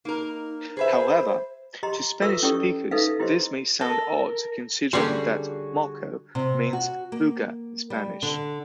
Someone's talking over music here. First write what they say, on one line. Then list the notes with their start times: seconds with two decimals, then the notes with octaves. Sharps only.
However, to Spanish-speakers, this may sound odd, considering that "moco" means "booger" in Spanish.
0.05 A#3 D#4 A#4
0.77 G#4 B4 C5 E5
1.83 G4 D#5 A#5 C6
2.22 F4 A4 B4 E5 C#6 E6
2.43 C#4 E4 G4 A4 D5 C#6
2.91 D#4 A4 B4 E5 F5
3.20 E4 G4 B4 C5 D#5 C6
3.81 A4 A#4
4.93 D3 G3 C#4 F#4 G#4 D5 C6
6.35 C3
6.73 F#4
7.12 A#3
7.90 G3
8.23 D3